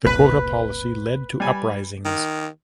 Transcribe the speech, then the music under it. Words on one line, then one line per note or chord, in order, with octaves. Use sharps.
The quota policy led to uprisings.
F1 C2 A#2 B4
G3 G#5 B5
D#3